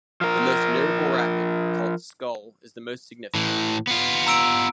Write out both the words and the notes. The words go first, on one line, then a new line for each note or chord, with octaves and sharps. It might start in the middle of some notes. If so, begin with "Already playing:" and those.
The most notable rapid, called "Skull", is the most significant.
F3 A#4
A2 E3
B3 F4
A#5 E6 D7